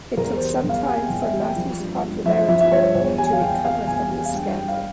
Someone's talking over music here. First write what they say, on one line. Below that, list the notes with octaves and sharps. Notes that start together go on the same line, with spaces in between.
It took some time for Matthews' popularity to recover from this scandal.
E2 A#4
C5
G3
E2
F5
C3 G#5
G5
E2
E5
G3
G5
F3
G2
G2
F3 E5
F3 E5
E5
G2 C#5
E2 C#5
G3 G#5
F5
E2 G5
C3 F5
E2 G#5
G3 G#5
F5
G2 G5
G5
G3
F5